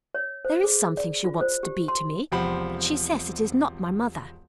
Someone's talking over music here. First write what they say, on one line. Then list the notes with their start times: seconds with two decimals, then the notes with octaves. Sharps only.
There is something she wants to be to me, but she says it is not my mother.'
0.14 C#5
0.45 C5
0.64 G#4
0.97 D5
1.24 F4
1.41 C5
1.63 G4
1.88 C6
2.32 E1 C3 F3 C4 F#5 B5